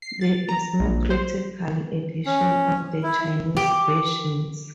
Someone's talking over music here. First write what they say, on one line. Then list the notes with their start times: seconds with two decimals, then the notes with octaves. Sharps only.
There is no critical edition of the Chinese versions.
0.02 C7
0.21 A6
0.49 A#5
0.80 A#1
1.10 C5
2.26 C#4
3.03 E4
3.57 G4